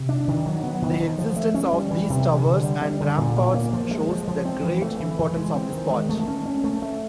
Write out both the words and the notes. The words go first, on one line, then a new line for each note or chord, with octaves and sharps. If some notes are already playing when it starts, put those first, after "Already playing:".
The existence of these towers and ramparts shows the great importance of this part.
Already playing: C3
D4
D#3
F#3
B3
D#3
F3
F3
A3
C#4
G3
E3
C3
E3
D3
G3
G3
D3
A#2
A#3
A#3
F3
G#3
F3
F3
C4
E3
A3
E3
E3
G#3
C4
D#3
G#3
A3
C#4
C#4
A3
A3